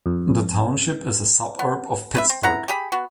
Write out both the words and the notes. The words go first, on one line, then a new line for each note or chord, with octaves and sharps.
The township is a suburb of Pittsburgh.
F2
B3
B4 D5 E5
C4
E4 F#5 A#5
G4 G#4 B5
B3 F#4